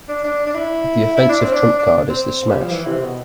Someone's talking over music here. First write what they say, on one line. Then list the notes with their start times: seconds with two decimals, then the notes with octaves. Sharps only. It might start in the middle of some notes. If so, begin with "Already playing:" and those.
The offensive trump card is the smash.
0.09 D4
0.24 D4
0.47 D4
0.55 E4
1.17 E4
1.29 D4
1.41 C4
1.53 D4
1.79 D4
2.10 C4
2.49 G3
2.61 F3
2.72 E3
2.86 C3
3.03 B2